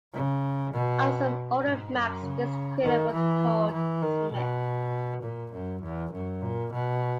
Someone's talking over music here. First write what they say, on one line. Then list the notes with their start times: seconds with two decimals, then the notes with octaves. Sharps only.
On some older maps this crater was called Smith.
0.13 C#3
0.73 B2
1.63 G#2
1.93 F#2
2.23 C#3
2.82 D#3
3.12 E3
3.72 E3
4.02 D#3
4.33 B2
5.22 A#2
5.52 F#2
5.82 E2
6.12 F#2
6.42 A#2
6.72 B2